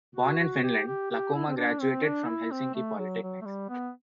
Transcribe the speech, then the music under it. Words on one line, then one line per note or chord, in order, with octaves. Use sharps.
Born in Finland, Lakomaa graduated from Helsinki Polytechnics.
F#4
F#4
G4
G4
G4
E4
C4
D4
C4
D4
E4
C4
A3
F#3
F#3
A3
G3
B3